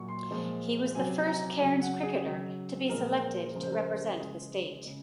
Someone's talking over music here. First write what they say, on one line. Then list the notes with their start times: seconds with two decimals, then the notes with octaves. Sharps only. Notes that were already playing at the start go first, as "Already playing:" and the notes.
He was the first Cairns cricketer to be selected to represent the State.
Already playing: A#2 F#3 C#6
0.09 C6
0.31 A#2 F3 G#3
0.95 C3 F#3 G#5
1.27 A#5
1.60 C#3 F#3 G#5
1.81 F#5
2.03 G#4
2.25 C#3 F#3
2.89 A#2 F3 G#3 A#4
3.23 C5
3.55 C#3 F3 G#3 A#4
3.63 C5
3.72 A#4
4.20 C#3 G#3 G#4
4.85 C#3 G#3